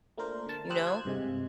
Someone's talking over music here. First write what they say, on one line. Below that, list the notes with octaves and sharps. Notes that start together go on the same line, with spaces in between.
you know?
A3 A#3 D4 F4 A#4 C5
D3 A5
G4 C5 D#6 E6 F#6
F4 C5 G#6
G2 C3 G#3